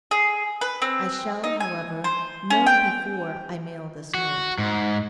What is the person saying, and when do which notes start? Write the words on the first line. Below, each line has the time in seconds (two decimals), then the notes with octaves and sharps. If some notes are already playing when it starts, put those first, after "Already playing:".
I shall, however, know before I mail this note.
0.11 G#4
0.61 B4
0.82 C4
1.44 D#4
1.60 G#5
2.04 C5
2.50 C#4
2.66 G5
4.14 F#4
4.58 G#2